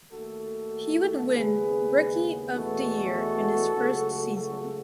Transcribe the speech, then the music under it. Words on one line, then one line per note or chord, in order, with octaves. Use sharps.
He would win Rookie of the Year in his first season.
D#2 D#3 A3 F#4 A4
D#2 C#3 G#3 B3 G#4 B4
E2 B2 A3 F#4 A4
C#2 C#3 F#3 A3
F#4 A4